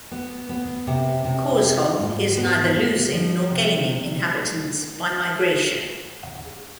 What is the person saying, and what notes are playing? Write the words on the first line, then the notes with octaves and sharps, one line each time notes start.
Korsholm is neither losing nor gaining inhabitants by migration.
B3
B3
C3
C3
F4
G#2
B3
F4
F3
C3